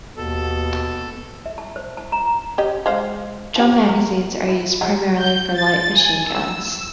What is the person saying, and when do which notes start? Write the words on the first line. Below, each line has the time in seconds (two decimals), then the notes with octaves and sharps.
Drum magazines are used primarily for light machine guns.
0.17 D#2 B2 A4
1.46 E5
1.58 A5
1.76 C5
1.97 A5
2.12 A#5
2.58 C#4 G4 D#5
2.86 G#3 C5 F5
3.56 F3 G4
3.89 A#4
4.49 E4
4.81 F#3 G#3 D#4
5.20 G6
5.55 A6
5.95 G#5
6.29 E6